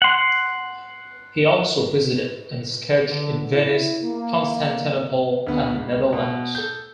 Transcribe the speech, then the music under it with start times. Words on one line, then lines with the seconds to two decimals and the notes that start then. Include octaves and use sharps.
He also visited and sketched in Venice, Constantinople and the Netherlands.
0.02 F#5 C6
3.06 D3
3.51 E4
4.02 A#3
5.47 D2 B3
5.77 C#2
6.13 B2
6.55 A4 G6